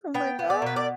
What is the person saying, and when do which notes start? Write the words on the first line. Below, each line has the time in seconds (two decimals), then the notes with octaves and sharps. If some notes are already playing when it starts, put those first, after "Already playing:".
I'm like, "Ah."
0.14 B3 G5
0.39 B3
0.50 D5
0.62 B2 B4
0.76 D5